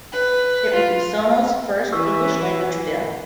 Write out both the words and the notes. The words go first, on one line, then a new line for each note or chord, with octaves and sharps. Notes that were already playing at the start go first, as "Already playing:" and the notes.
It would be Sono's first English-language film.
B4
F4
E3 G4 B4 C#6 E6